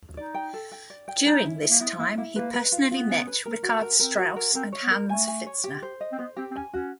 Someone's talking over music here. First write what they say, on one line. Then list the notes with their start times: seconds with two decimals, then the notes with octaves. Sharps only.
During this time he personally met Richard Strauss and Hans Pfitzner.
0.17 D#4 D5
0.34 G5
0.53 A4
0.72 G5
0.90 D5
1.08 G5
1.26 C#4 D#4
1.44 E4
1.62 E4
1.70 A#3
1.80 B3 E4
1.99 A#3 E4
2.18 A#3 E4
2.35 A#3 B4
2.53 B4
2.72 F4
2.91 B3 F4
3.09 C#4
3.27 B4
3.45 A#4
3.63 F#4
3.82 A#4
3.99 C4 A#4
4.18 F#4
4.36 A#4
4.55 C4 A#4
4.72 C#5
4.83 B3
4.91 A#4
5.09 A3 G#5
5.27 G#5
5.46 C#5
5.64 G4
5.82 C5
6.01 D#5
6.12 C4
6.18 B3 C5
6.37 C4 G4
6.51 C4
6.55 C#4 G#5
6.73 C#4 F#4